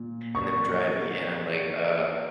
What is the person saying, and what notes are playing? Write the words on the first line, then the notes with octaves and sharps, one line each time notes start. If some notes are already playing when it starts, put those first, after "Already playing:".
and them driving, and I'm like, "Uh,"
Already playing: A#2
C#6